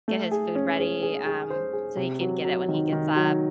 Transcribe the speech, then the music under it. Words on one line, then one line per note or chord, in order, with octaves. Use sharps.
get his food ready, um, so he can get it when he gets up
A3
G#4
C#4
G#4
G#4
G#4
C5
G#4
C3
F#3
F#3
D#3
D#3
F#3